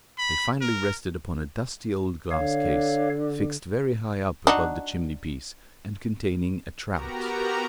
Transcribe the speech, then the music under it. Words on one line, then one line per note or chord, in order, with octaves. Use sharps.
They finally rested upon a dusty old glass-case, fixed very high up above the chimney-piece, and containing a trout.
B5
A#4
D3 C#5 F5
D4 D#4 F#4
B3 F#4 G4 A#4 A#5